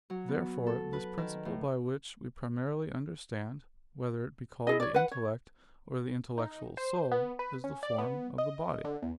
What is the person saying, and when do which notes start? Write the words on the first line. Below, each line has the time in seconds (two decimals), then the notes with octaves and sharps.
Therefore this principle by which we primarily understand, whether it be called the intellect or the intellectual soul, is the form of the body.
0.10 F#3
0.28 B3
0.67 A4
0.93 B4
1.18 D#3
1.45 A2
4.67 E4 G#4 D#5
4.80 C#5 D5
4.94 B4 F#5
5.11 C#5
6.38 D#4
6.77 C5
7.12 B3
7.39 B4
7.64 C#4
7.83 D5
7.98 B3
8.38 D#5
8.85 D3
9.02 E2